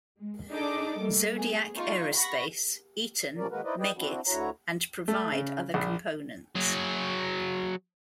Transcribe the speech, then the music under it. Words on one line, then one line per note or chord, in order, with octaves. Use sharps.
Zodiac Aerospace, Eaton, Meggitt and provide other components.
G#3
D4 D#4 G#4 A4 D#5 D6
G3 A3 A#3
B3 G#4
D#4 F4 C#6
F#5 B5 C#6 A#6
A#2 F3 G3 C#4 A#4 D5
D#3 G#3 A#3 F#4 A#4 B4
D#4 E4 B4 C5 D5 D#5
G#4 B4 D5 D#5 G5
C4 D4 E4 F#4
D2 D3 E4 F#4 C#5 A#5
A3
C#3
A#1
F#3 G#4